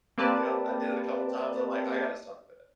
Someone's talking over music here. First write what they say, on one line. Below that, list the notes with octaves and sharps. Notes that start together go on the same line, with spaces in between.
Yep. I did it a couple times. I'm like, "I gotta stop with it."
A#3 C4 G4 B4 D5 A5